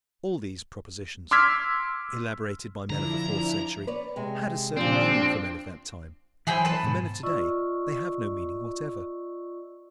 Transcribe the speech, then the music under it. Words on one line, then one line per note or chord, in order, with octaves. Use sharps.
All these propositions, elaborated by men of the fourth century, had a certain meaning for men of that time, but for men of to-day they have no meaning whatever.
C6 D6 E6 F6 G#6 B6
D3 F3 D4 E4 A#5
B4 C#5 D5
C3 G#3
A#2 F3 G3 C4 D4
E3 F#3 E4 G#4 C5 G5
B4 A5
G#2 B2
F4 D5 D#5 C#6 E6